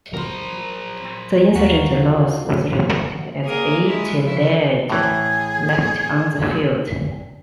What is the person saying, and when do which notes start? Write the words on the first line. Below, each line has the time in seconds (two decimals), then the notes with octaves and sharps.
The insurgent loss was reported as eight dead, left on the field.
0.14 F#3 A#4 C5
1.56 D#2 F4 F#4
3.44 A#3 G#4 A#4
3.85 G#3 E4
4.22 C#3 F3 E4
4.90 A2 E3 G#4